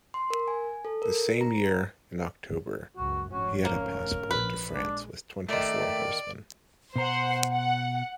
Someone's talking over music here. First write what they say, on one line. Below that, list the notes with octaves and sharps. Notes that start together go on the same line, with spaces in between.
The same year, in October, he had a passport to France with twenty-four horsemen.
C6
A#4
G#5
A4
A#4
A#5
C#2 F#2 F#4
F1 G#2 C#4 F#4
A#3 A#4
A#1 B4
G#3 D4
D#3 A3 A#3 D5
B2 C5 F#5 A#5
F#5